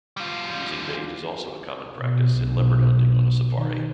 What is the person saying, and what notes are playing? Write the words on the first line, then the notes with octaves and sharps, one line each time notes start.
Using bait is also a common practice in leopard hunting on a safari.
G3 F4
B2
B1
D#3